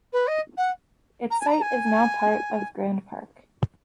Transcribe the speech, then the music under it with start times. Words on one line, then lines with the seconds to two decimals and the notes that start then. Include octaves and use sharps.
Its site is now part of Grand Park.
0.12 B4
0.26 D#5
0.57 F#5
1.30 A#5
1.40 G#5
1.46 B5
1.50 A#5
1.61 G#5